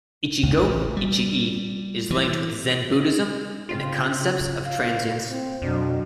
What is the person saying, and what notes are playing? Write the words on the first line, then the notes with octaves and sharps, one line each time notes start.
"Ichi-go ichi-e" is linked with Zen Buddhism and concepts of transience.
C#2
A1
G3
E3
C#3 C4 F4
F5
C4 C5
F2 B2 F#3 D4